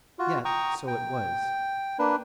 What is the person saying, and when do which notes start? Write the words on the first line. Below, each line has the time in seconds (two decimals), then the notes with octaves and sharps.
Yet so it was.
0.19 F4 F#4
0.45 G5 A#5 C#6 D#6
0.87 G5
1.99 A#3 D4 B4